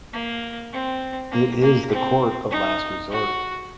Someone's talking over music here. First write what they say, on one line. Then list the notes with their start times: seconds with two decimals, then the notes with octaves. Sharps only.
It is the court of last resort.
0.13 A#3
0.73 C4
1.32 A#3
1.62 A#3
1.92 C4
2.51 D#4
3.11 F#4